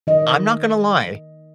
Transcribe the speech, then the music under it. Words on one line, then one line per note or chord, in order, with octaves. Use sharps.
I'm not gonna lie,
D#3 D#5